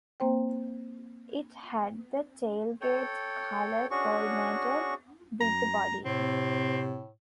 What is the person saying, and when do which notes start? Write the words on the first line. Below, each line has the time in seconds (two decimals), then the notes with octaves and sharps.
It had the tailgate colour coordinated with the body.
0.20 A#3 C4 C5 G5
2.81 A4 C#5 G5
3.91 C#4 D4 F#4 G#4 C#6
5.41 F#2 A#5
6.05 A2 C3 C4